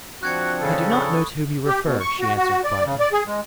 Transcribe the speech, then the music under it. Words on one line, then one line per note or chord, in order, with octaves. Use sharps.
"I do not know to whom you refer," she answered quietly.
F3 C4 D4 F#4 F#6 G#6 C#7
C#3 A4
B5 C#6 D#6
G4
B2
C#6
F#4
F#4
D5
C#3
D5
G#4
G#3